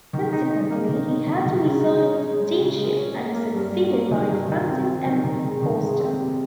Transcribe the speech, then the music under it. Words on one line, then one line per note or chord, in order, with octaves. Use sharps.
Consequently, he had to resign his deanship and was succeeded by Francis M. Forster.
D#3
D#4
D#4
A#3
D#3
D#4
D#3
D#3
C#3
G#3
C#4
G#3
G#3
C#3
G#3
C#4
A#3
A#3
G2
G3
A#3
D#3
G2
D#3
C4
C4
D#3
D#3
G#3
D#3
G#3
C4
C3